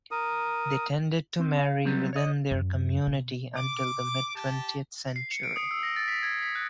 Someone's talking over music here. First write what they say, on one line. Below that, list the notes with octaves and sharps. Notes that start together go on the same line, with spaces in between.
They tended to marry within their community until the mid-twentieth century.
A#4 D#6
C4
F5
F#3 G3 B3 C4
C#5 D#5
F#2
B2
D6
G4 A5
C7
C#7
D7
D#6
E6
A#6
A6
B6
G#6
B6
F#6